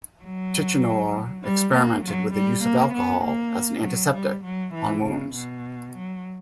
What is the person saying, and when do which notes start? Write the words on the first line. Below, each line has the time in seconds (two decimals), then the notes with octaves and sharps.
Tichenor experimented with the use of alcohol as an antiseptic on wounds.
0.23 F#3
1.44 G3
1.74 A#3
2.05 F#3
2.34 G3
2.64 A#3
2.94 B3
3.25 A#3
3.84 F#3
4.14 G3
4.44 F#3
4.74 E3
5.04 C#3
5.34 B2
5.94 F#3